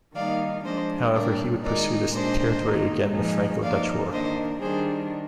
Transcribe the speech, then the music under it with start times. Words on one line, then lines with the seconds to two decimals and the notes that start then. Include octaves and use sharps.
However, he would pursue this territory again the Franco-Dutch War.
0.15 D#3 G3 A#3 D#4 D5 F5
0.65 F3 G#3 D4 C5 D#5
1.15 A#2 G3 D4 A#4 D5
1.64 D#3 G#3 D#4 A#4 D5
2.14 A#2 G#3 D4 C5 D#5
2.63 D#3 A#3 D#4
3.13 A#2 F3 G#3 D#4
3.63 F3 A#3 D#4 D5 F5
4.12 D#3 A#3 D4 C5 D#5
4.62 D#3 G3 D4 G#4 C5